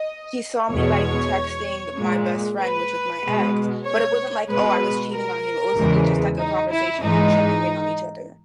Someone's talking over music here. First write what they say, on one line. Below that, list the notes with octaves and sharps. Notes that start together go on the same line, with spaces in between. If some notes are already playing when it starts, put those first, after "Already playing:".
he saw me, like, texting my best friend, which was my ex. But it wasn't like, oh, I was cheating on him. It was literally just like a conversation, like, checking in on each other.
Already playing: D#5
E2 B2 G#3 C#5
A#2 G#3
B4
B2 G#3
C#5
B2 G#3 B4
A#4
E2 C#3 E3 G#3
D#4
E4
G#2 E3 G#3 D#4